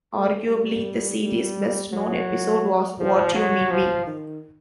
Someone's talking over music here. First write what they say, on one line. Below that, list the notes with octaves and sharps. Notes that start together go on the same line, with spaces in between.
Arguably the series' best-known episode was What You Mean We?
A3
G3
G3
F#3
F3
F#3
F3
D#3